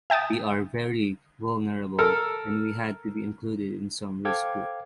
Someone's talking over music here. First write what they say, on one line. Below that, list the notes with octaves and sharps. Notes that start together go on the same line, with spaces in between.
We are very vulnerable and we had to be included in some risk group.
E5 G5 A5 D#6
A4 A#4
A4 C5 F5 G5 D6 G#6